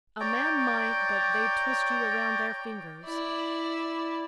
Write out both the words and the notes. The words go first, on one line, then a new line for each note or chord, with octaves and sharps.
A man might, but they'd twist you around their fingers.
C#5 D5 G5 A#5
E4 D5